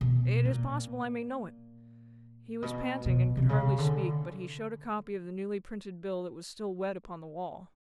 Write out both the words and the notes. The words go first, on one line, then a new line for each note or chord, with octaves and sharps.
It is possible I may know it.' He was panting, and could hardly speak; but, he showed a copy of the newly-printed bill that was still wet upon the wall.
B2
A#2
B2
B2
C3
C#3
D3